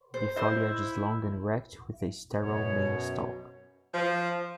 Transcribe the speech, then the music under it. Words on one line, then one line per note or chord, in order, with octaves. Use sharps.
The foliage is long and erect with a sterile main stalk.
C5
E4 C5 D#5
F#2 B2 C#5
F3